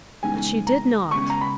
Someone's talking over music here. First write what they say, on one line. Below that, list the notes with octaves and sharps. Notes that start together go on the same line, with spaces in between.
But she did not.
C#3 E3 G#3 B3 D#4 G#5
A#5
C#3 G#3 B3 C#6
A#5
B5